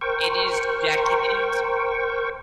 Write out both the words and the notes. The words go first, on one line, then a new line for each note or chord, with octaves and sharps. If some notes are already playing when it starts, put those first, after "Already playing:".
it is decadent
A#4 C5 G5 C#6